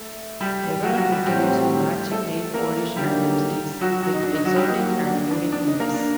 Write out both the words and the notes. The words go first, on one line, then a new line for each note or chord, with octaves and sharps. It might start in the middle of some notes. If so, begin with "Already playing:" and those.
Revlon introduced matching nail polish and lipsticks with exotic and unique names.
Already playing: A3
G3 G4
F#3 F#4
F#3 F#4
G3 G4
A2 F#3 G3 C4 G4
A3 A4
A#3 A#4
D3 F#3 G3 A#3 D#4 G4
F#3 F#4
F#3 F#4
F#3 F#4
D#4
D4
D#4
F#3 F#4
G3 G4
F#3 A#3 D#4 F#4
D4
D4
D4
D#4
A#3 A#4
D4